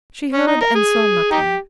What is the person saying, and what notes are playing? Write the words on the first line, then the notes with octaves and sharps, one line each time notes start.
She heard and saw nothing.
C#4
D#4
A#4
G#4
D#4 G4